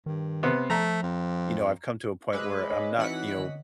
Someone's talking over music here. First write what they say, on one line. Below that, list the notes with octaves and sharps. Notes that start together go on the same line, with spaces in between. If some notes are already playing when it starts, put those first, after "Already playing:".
you know, I've come to a point where I'm not, you know
G2 D#3
C3 B3
F3 A3 A#5
F2
G#3 B4 C5 D6 E6
C#5 D#5
E3 C4 D#4 F#4 F#5 B6
D3